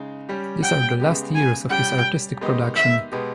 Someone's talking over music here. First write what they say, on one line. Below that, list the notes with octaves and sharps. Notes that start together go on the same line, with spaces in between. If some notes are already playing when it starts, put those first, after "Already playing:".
These are the last years of his artistic production.
Already playing: C#3 G#3 D#4
G3 C#4 G4
G5
C#3 G#3 B3 G4
G#5
G3 C#4 G4 G5
D#3 G#3 B3 D#4 G4
E5
B2 G#3 B3 G4